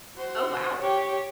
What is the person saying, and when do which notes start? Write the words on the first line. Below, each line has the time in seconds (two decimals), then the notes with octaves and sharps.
Oh, wow.
0.16 F#4 C5
0.80 G4 C#5